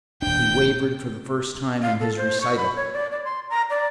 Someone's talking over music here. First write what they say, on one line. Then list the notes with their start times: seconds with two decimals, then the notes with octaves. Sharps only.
He wavered for the first time in his recital.
0.22 D#1 D4 G5
1.82 F5
2.01 A4
2.17 C5
2.41 C#6
2.57 B5
2.76 C#5
2.93 D5
3.12 D5
3.25 C6
3.50 A#5
3.70 D5